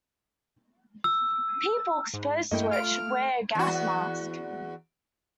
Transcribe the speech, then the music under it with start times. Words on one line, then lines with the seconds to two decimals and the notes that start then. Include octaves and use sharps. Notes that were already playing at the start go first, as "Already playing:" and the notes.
People exposed to it should wear a gas mask.
1.04 E6
2.13 G#2
2.51 G2 A3 A#3 E4 D#5 G5
2.71 F4 F5 F6 D7
3.55 E2 F#4